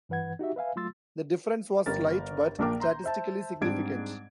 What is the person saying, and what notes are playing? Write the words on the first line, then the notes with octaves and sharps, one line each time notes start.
The difference was slight, but statistically significant.
G2 E3 B4 F#5 G#6
D#4 F#4 G4 E5
B4 E5 F5 G#5
F#3 A3 F4 C6 E6 A6
G1 G4 A#4 A6
A#1 A#2 D4 A#4 G5 D6
A#5 C6 G6
C5 E5 A5
G#2 G3 C4 D4 G#6 D7